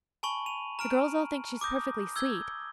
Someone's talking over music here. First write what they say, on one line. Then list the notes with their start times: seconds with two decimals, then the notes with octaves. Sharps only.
The girls all think she is perfectly sweet.
0.23 G#5 A5 B5 C#6 F#7
0.46 D#7 F7
0.79 A#5 F6 D7
1.61 D6 D#6 G6 A#6
2.16 E6 G6 G#6 G7